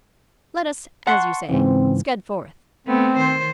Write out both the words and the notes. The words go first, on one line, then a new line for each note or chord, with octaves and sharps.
Let us, as you say, scud forth.
F#5 A5 C6 C#6
G#2 C#3 E3 C4
A3 B3 C4
D#3 C5